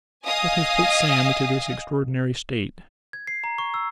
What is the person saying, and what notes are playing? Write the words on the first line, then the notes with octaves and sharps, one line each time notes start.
'What has put Sam into this extraordinary state?'
D#5 F5 G#5 D#6
G#6
C7
A#5
C#6
E6